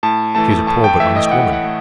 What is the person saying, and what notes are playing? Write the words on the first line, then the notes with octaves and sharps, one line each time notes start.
She is a poor but honest woman.
A2 A5
E3 A3 A5
A5
A2 A5
G5
E3 A3 E5
D#5
G5
A2 F#5
F#5
A3